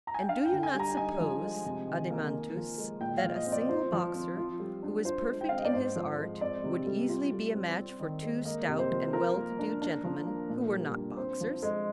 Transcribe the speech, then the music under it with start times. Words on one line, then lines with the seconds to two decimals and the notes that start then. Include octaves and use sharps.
And do you not suppose, Adeimantus, that a single boxer who was perfect in his art would easily be a match for two stout and well-to-do gentlemen who were not boxers?
0.07 A#5
0.14 G#5
0.22 G5
0.29 D4 F5
0.46 G5
0.52 D3
0.63 G#5
0.74 G3
0.79 A#5
0.97 D#4 G#5
1.20 F3
1.42 G#3
1.65 C3
1.88 D#3
2.10 A#3
2.33 D#4
2.56 F3
2.78 G#3
3.01 A#2 G5
3.18 F5
3.24 F3
3.35 D#5
3.46 C4
3.52 D5
3.69 F4 C5
3.92 F3
4.14 C4
4.37 F4
4.60 G3
4.82 D4
5.05 F4 C5
5.28 G#3
5.41 G5
5.49 C4 F5
5.57 D#5
5.65 D5
5.73 G#2 C5
5.96 F3
6.18 G#3
6.41 C4 D5
6.64 C3
6.86 G3
7.09 F4
7.32 G3
7.55 C4
7.77 C4
8.00 D#3
8.22 G#3
8.45 A#3 D#5
8.68 C3
8.79 C5
8.91 F3
9.13 F4 A#4
9.36 A#3
9.59 D4
9.81 D4
10.04 F3
10.26 A#3
10.49 A#2
10.72 G3
10.95 D4
11.17 C4 C5
11.40 F3
11.63 G#3